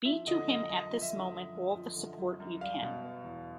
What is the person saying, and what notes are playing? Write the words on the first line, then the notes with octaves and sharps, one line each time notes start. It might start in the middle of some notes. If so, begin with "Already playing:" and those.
Be to him at this moment all the support you can.
F3 E5
D3 D#5
F#2 D#5
F#2 D#5
F3
E5
D3
F#2
F#2
F3
D3
F#2
F#2
G3 F5
B2
B3
E2